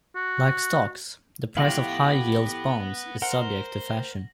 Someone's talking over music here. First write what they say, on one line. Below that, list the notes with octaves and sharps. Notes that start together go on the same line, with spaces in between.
Like stocks, the price of high-yield bonds is subject to fashion.
F#4
A2 F3 B3 E4 G4 F5 A#6 F#7
A#4 C5 F#5